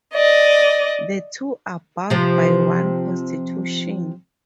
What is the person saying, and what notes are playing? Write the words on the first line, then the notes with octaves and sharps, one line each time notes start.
The two are bound by one constitution.
D5 D#5
C3 F3